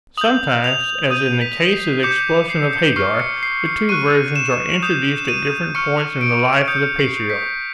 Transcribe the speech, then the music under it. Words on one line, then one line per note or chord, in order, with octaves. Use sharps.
Sometimes, as in the case of the expulsion of Hagar, the two versions are introduced at different points in the life of the patriarch.
D#6 G6 F#7
F7
D#6 G6 D#7
B6
C7
D6 G6 C#7
C7
C#7
C#6 F6 C7
C#7
C7
C#7
C#6 F#6 D#7
E7
D#6 G6 E7
E7
D#7
C#6 F6 C#7
D7
D#6 G6 C#7
C7
B6